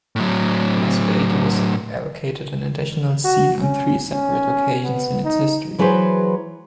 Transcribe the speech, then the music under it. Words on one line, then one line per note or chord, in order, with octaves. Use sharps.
Masbate was allocated an additional seat on three separate occasions in its history.
A2 F#3
F#4
C#4
C#4
B3
D#4
E3 F#3 G#4 B4 C5